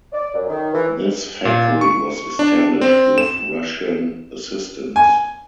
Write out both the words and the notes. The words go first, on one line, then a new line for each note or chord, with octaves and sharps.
This factory was established with Russian assistance.
D5
F#2
D#3
E3
A#2
C#6
D4
C4
E7
G#5